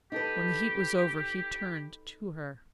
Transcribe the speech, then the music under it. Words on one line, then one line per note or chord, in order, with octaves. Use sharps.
When the heat was over he turned to her.
D#4 G4 A4 B4